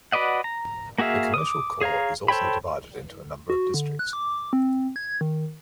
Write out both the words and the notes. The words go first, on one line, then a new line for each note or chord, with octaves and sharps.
The commercial core is also divided into a number of districts.
F#4 B4 D5 D#5 F#5
A#5
A#3 F#4 G#4 E5 F5
D6 D#6
G#4 C#5 F5 A#5
A4 C5 C#5 G5 B5
F#4
D3
F#6
D6
C4
G#6
D#3